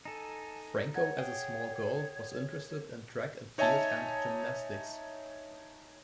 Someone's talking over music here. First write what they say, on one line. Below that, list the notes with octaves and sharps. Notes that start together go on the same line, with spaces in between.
Franco as a small girl was interested in track and field and gymnastics.
D#4 A4 G#5
C#5 F#5 G#6
G#4 G5
D#4 C#5 D#5 E5 G#5 A5